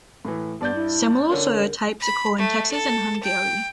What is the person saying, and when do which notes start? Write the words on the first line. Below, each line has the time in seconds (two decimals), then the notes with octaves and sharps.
Similar soil types occur in Texas and Hungary.
0.25 A2 E3
0.61 G2 B3 D5 G6
0.75 E4
1.30 D3 C#4 D4 A#4
2.00 B5
2.38 A3
2.72 A4
3.23 G5